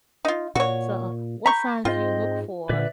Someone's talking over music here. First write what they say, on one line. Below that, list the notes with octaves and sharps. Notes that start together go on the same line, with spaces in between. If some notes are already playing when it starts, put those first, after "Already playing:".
So, what signs do you look for
D#4 F4
A#2 F#4 C#5
A#5 B5 C#6 G6
G#2 C4 F4 C5 D#5
A#2 D3 B4 D5 E5